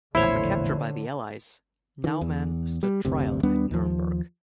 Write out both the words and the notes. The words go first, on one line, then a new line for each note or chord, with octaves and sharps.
After capture by the Allies, Naumann stood trial at Nuremberg.
A#1 E2 A2 D3 E4 C5 C#5
D#3 E3
E2
G3
F#1 D2 C3
D#2 G3 B3 D4
D#2 F3